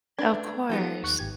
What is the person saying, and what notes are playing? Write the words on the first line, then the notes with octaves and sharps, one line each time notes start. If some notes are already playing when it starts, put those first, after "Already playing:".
Of course.
D4 B4 G#6
F3 B3 D#4 G4 A4
D#2 C#6 F#6
G#1 G4 G#6